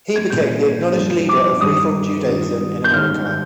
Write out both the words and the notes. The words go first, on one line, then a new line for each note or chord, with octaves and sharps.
He became the acknowledged leader of Reform Judaism in America.
G#6
A#2 G3 G6
G2 F3
D6
G2 D#3 G3 D#6
G2 D#3 G3
G6
G#2 D#3 G3 F6
G6